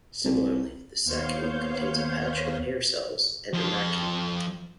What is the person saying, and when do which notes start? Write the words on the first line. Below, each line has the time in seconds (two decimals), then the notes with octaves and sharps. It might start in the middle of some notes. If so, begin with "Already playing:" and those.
Similarly, the saccule contains a patch of hair cells and a macula.
0.24 C2
1.04 D#2 B3 C5 C#5 F5 G6
3.54 F2 F4